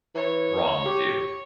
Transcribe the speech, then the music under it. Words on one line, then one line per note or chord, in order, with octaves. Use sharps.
wrong with you,
E3 C#5
G4